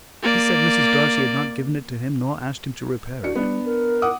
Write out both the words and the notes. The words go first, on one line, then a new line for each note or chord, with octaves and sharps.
He said Mrs. Darcy had not given it to him, nor asked him to repair it.
A#3 D5
D4 F#4 C#7
G3 B3 D4
A#4
F#5 D6 D#6